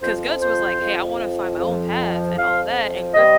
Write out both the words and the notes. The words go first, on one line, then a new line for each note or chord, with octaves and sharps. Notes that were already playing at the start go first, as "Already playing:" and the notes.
'cause Guts was like, "Hey, I wanna find my own path and all that," and Griffith
F2 F3 C5
C5
F2 F3
F2 F3
F2 F3 F5
C3 G3 D#5